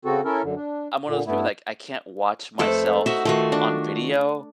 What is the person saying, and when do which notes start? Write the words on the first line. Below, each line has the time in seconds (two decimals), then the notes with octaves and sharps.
I'm one of those people that, like, I can't watch myself on video,
0.05 C#3 C4 F#4 A4
0.25 C#4 E4 A4 A#4
0.43 F#2 D3
0.55 D4
1.07 A#2 D3
1.27 G2 A3 B3 E4
2.59 F2 A3 A4 B4 C5
3.06 D#4 F#4 E5 F#5
3.25 D#3 A3 F4 F#4
3.52 D4